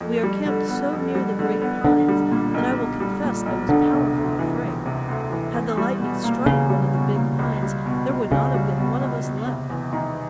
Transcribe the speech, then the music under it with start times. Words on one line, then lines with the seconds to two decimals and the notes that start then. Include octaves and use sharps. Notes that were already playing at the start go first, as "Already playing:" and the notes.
We are camped so near the great pines that I will confess I was powerfully afraid. Had the lightning struck one of the big pines there would not have been one of us left.
0.01 F2
0.23 G3
0.46 D3
0.69 B3
0.93 F2
1.15 G3
1.39 D3
1.62 B3
1.84 B1 D3
2.08 G3
2.31 A#2
2.54 B1
2.77 B1
3.00 G3
3.23 A#2
3.46 B1
3.69 E1 D3
3.93 C3
4.16 D2
4.39 E3
4.62 E1
4.86 C3
5.08 D2
5.31 E3
5.54 E2
5.77 G3
6.00 B2
6.24 A#3
6.46 E2 C#3
6.69 G3
6.94 B2
7.16 A#3
7.39 C#2
7.62 G3
7.86 B2
8.09 C#2
8.31 C#2 C#3
8.54 G3
8.78 B2
9.01 C#2
9.25 E1
9.46 C3
9.70 E2
9.93 D#3